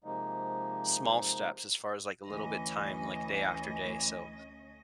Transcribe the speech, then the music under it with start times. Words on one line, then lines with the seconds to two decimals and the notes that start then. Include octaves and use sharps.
small steps, as far as, like, a little bit time, like, day after day, so,
0.04 C3 F3 G#3 A#3 D#4
2.28 D2 E3 C#4 D#5